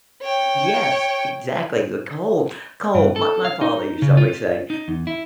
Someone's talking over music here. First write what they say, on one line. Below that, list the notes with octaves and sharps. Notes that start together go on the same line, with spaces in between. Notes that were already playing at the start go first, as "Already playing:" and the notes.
Yes, exactly, the cold cold my my father used to always say,
C#5 G5
G2
A4
F5
D#4
C#3
F4
D#4
E2
E4